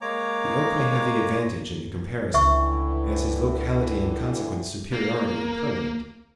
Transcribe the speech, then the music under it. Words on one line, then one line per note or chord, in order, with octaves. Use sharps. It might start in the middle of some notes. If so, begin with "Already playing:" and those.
The oak may have the advantage in the comparison, as his locality and consequent superiority are permanent.
G#3 A#3 C#5 A#5 D6
C#2 A2 D3 E3 E5 C#6
A#3